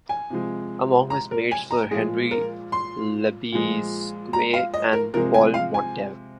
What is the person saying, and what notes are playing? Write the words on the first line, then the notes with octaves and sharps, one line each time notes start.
Among his mates were Henri Lebesgue and Paul Montel.
G#5
C3 F3 G#3
A#5
A#4
G#5
A#5
A#2 F3 G#3 G#4
A#4
C6
A#2 F3 G#3
A#5
F5
D#5
A#4
C3 F3 G#3 A#4
G#5
F5
G#5